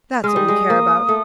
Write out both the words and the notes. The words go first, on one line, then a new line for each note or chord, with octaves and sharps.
That's what we care about.
G#3 D#6 F6
G3
G#3
A#3
A3